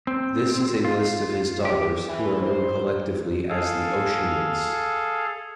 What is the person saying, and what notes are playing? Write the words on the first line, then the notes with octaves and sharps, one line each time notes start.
This is a list of his daughters, who are known collectively as the "Oceanids".
C4
F4
G4
E3
C5
G#4 A4 F5